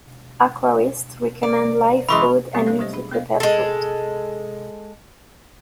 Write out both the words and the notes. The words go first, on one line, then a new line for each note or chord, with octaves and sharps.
Aquarists recommend live foods and meaty prepared foods.
D5
F#2 E3 G#3 B5 C#6
G3 B3 C4 G4 E5 F5
D4 A4 B4 C#5 F5
F#3 G3 A3 G4 C5 D#5
D4 G#4 B5
B3 D4 A4 C5 D#5 F5
G#3 A4